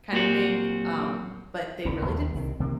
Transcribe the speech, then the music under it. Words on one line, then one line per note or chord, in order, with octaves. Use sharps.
kinda thing, um, but they really didn't
A#2 F#3 A#3 C4 F#4 G4
D#1 C#2 D3 B3
D#2
C2 C3 D#3
C3 D#3 A#3